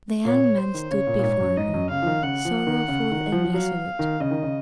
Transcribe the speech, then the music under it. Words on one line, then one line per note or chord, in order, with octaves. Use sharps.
The young man stood before her, sorrowful and resolute.
A#2 C#5
C5
D#3
C#3 C#5
A#2
A#2
G#2
F#2
G#2 D#5
F#2
C#3 F5
F3
D#3
C#3 F#5
F3
D#3
C#3
D#3
F3
F3
F#3 F5
D#3
C#3 D#5
D#3
C#3